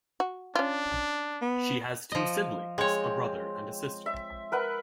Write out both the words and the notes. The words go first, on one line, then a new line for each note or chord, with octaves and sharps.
She has two siblings, a brother and a sister.
F#4
C#4 D4 F4
B3
F3 D#5
G#3 C4 C#5
E5
A#4 B4 F#5